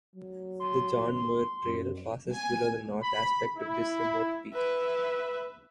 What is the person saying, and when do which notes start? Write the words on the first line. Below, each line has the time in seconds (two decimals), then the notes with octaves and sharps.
The John Muir Trail passes below the north aspect of this remote peak.
0.15 F#3
0.60 C6
1.65 F#2
2.32 G#5
3.02 B5
3.57 E4
4.54 B4 E5